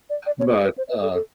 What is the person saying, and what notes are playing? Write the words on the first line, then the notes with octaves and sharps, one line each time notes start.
but, uh
D5
D5
C#5
C5
B4
C5
B4
A4
A4